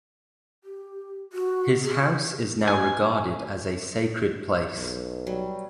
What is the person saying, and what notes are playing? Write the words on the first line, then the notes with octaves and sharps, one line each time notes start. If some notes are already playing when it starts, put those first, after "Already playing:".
His house is now regarded as a sacred place.
G4
F#4
G#4
G#5
B1
F#3 G3